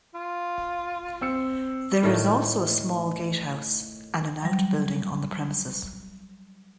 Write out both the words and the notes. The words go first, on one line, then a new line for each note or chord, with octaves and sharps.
There is also a small gatehouse and an outbuilding on the premises.
F4
C4 E6 C#7
A2 D#3 A3
F#3 G3